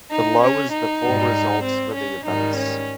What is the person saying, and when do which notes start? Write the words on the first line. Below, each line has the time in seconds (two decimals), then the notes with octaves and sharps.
Below is the full results for the events.
0.12 D#4
0.43 C#4
0.73 D#4
1.03 G#2 G3
1.65 C4
1.95 C#4
2.27 G#2 D#3 G3 D#4
2.57 C#4